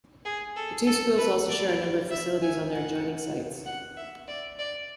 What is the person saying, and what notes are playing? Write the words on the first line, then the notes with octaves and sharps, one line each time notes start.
The two schools also share a number of facilities on their adjoining sites.
G#4
A4
A4
B4
D5
E5
G#5
F#5
F#5
E5
D5
D5